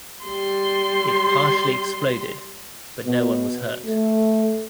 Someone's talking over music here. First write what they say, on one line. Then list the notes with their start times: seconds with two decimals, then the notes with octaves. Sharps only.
It partially exploded but no one was hurt.
0.25 G3 C6
3.06 B2
3.85 A3